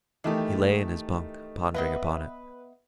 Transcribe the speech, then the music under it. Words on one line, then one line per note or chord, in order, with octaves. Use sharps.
He lay in his bunk pondering upon it.
D#3 E3 A3 D#4 G4
B3 B4 D#5 E5